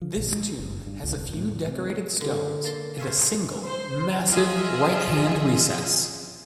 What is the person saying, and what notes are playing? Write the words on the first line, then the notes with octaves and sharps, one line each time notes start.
This tomb has a few decorated stones, and a single, massive right-hand recess.
F3
A#1
G#3
F#1
G2
C#2
E1
A2
C3
D3
A#3 A5 C6
C5 C#5 E5 F5 G#5
C5
F3 F4 G#4 D#5 E5